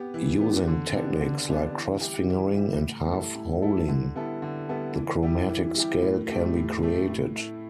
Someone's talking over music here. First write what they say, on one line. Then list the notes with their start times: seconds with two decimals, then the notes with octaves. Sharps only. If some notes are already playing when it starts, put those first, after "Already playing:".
Using techniques like cross-fingering and half-holing, the chromatic scale can be created.
Already playing: B3 G4
0.14 E3
0.41 B3 G4
0.68 D3
0.95 B3 D4 G4
1.21 D3
1.48 B3 D4 G4
1.75 E3
2.01 G3 E4 G4
2.28 E3
2.55 G3 E4 G4
2.81 A2
3.08 G3 E4 A4
3.35 A2
3.62 G3 E4 A4
3.88 D3
4.15 G3 B3 E4 A4
4.42 D3
4.69 G3 B3 E4 A4
4.95 E3
5.23 G3 E4 G4
5.49 E3
5.76 G3 E4 G4
6.02 A2
6.29 A3 G4
6.56 A2
6.83 A3 G4
7.10 A2
7.36 A3 E4